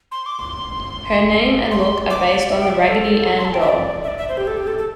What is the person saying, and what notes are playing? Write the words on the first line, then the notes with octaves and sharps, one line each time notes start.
Her name and look are based on the Raggedy Ann doll.
C6
D6
C6
C6
D6
D5
E5
G5
E5
D5
A4
C6
A5
G5
E5
D5
E5
D5
E5
C5
G4
A4
G4
A4
A4